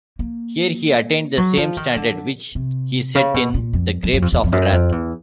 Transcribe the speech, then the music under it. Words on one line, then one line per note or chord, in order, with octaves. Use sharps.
Here he attained the same standard which he set in "The Grapes of Wrath".
A#3
F#3
F3
D#3
D3
C3
C#3
B2
A#2
F2
F2
F#2
F2
E2
F2
F#2
F2
E2